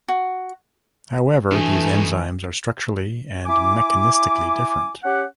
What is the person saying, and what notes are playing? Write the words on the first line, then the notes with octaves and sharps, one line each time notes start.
However these enzymes are structurally and mechanistically different.
F#4
B2 E3 A3 D4 D#4 F#4 G#5
E4 G#5 D6
C#4 G4 F#5